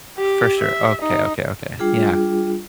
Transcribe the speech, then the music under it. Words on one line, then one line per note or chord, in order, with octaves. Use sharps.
For sure. Okay, okay, okay. Yeah.
G4
E5
D#4
G3 D4 F4 G#4